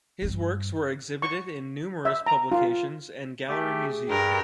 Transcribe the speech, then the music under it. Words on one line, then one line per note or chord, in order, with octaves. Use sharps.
His works were exhibited in numerous publications and gallery museum.
G2 C4
C#6
E5
A#5
F4
A3 G4 G#4
G2 G4 A#4